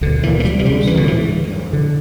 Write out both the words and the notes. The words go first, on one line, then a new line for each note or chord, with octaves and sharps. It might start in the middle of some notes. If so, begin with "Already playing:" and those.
It has no surrounding gallery.
D2 D3
E3
E3
G3
E3
G3
E3
D3
E3
D3